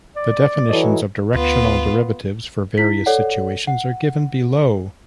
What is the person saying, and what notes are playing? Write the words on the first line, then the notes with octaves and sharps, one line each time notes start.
The definitions of directional derivatives for various situations are given below.
D5
E3 F#3 A4 C#5 D#5
D2 B3 F4
E4 B6
A4 C#5 D5 F#5
F#5